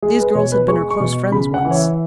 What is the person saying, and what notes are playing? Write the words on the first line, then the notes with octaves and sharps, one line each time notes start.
These girls had been her close friends once.
G#3 G#4
B4
B2 C#5
B4
G#3 C#6
C#6
B2
C#3 B5
F#5
E3
C#5
E5